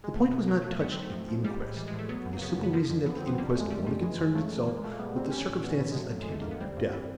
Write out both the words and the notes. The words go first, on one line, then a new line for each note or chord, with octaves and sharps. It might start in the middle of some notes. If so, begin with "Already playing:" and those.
The point was not touched at the inquest, for the simple reason that the inquest only concerned itself with the circumstances attending her death.
G#3
B2 A3
B2
F#3 A#3
F#3 A3
A#3
G#2 B3
C4
G#2
A3
F3
F3
G3 G#3
A2
E3 G3
G#3
A2
A3
F#3 B3
F#2
A#3
C#3 B3
F#2
B3
F3 A#3
F2
D3 B3
C4
F2
B3
G3 A#3
A3
F#2
G#3
D3 G3
F#2 G3
E3 G#3
F#2 G#3
C#3 A3
F#2
A#2 A#3
G#3
A#2 A3
A#3
G3 B3
G3 C4
G3 C#4
A2
E3 B3
A2
G#3
F#3 A3
F2
G#3
D3 A3
F2 A#3
B3
G3 C4
G2
E3